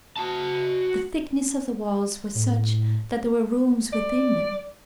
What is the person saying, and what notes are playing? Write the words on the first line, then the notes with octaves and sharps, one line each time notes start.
The thickness of the walls was such that there were rooms within them.
F#4 A5
A2
D5